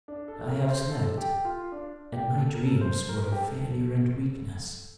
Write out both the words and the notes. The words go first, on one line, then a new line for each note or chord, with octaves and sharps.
I have slept, and my dreams were of failure and weakness.
D4
A4
A#4
C5
A4
A4
G4
F4
D4
G4
A4
A#4
A4
A#4
C5
A#4
G4
A4